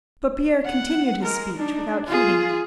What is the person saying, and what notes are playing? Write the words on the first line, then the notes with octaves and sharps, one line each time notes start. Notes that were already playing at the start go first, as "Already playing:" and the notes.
But Pierre continued his speech without heeding her.
F#5
G#3 A#4
D4 D#4
F4 G#4